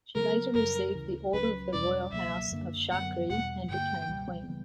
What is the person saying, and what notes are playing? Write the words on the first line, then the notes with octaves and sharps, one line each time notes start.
She later received the Order of the Royal House of Chakri, and became queen.
C#3 F#3 B3 A#4
F#2 C#3 G3 A#4
D2 C#3 E3
C#2 C#3 F#3 C#4 B4
E2 B2 G3 C#4 D5
C#2 B2 F#3 A#3 E5
F#2 D3 A#3 D4
F#2 D3 F#3 B3 F#5
E2 B2 G3 F#5
G2 D3 A#3 G5
C#2 B2 G3
C#3 E3 G3 B3